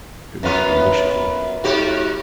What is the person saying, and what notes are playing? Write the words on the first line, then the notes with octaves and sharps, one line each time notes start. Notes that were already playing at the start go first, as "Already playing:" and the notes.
It was foolish of me.
F#2 B3 F4
G#2 F#4 G4